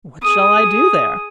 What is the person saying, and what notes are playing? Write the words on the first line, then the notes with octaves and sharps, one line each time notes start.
"What shall I do there?"
G#4 D#6